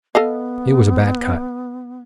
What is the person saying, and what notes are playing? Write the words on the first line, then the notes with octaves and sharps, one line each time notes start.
It was a bad cut.
B3 A4 D#5 F5